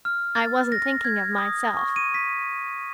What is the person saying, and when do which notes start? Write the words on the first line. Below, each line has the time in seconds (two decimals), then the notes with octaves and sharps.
I wasn't thinking of myself.
0.05 F6
0.35 A6
0.72 A#6
1.05 G#6
1.38 D#6
1.77 C#6
1.96 D#7
2.14 B6